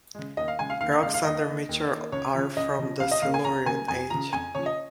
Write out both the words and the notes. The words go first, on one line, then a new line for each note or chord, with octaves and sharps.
Rocks under Mitchell are from the Silurian age.
C#3 G#3
D#2 D#5
F5
C#3 G#3 G#5
F5
D#2 F5
F5
C#3 G#3 F5
F5
D#2 D#5
D#3 A#3
D#2
D#3 A#3
C#2 C#5
C#3 F3
C#2 D#5
C#3 F3
C#2 F5
D#5
C#3 A#3 F5
G#5
C#2 A#5
C#3 A#3 G#5
F2 G#5
C#3 F3 A#5
F2 G#5
C#3 F3 C#5
D#5